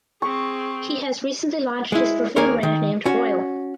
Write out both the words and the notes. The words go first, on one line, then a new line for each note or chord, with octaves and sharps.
He has recently launched his perfume brand named "Royal".
C4 G#4 C#6
G#3 E4
D#2 A#3 G#4 A#4 C#5
D#3
C#4 F#4